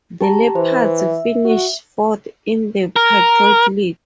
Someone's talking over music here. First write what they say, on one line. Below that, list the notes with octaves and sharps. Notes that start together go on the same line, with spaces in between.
The Leopards finished fourth in the Patriot League.
G4 A5 A#5
E3 C5
E5
F#4
A#4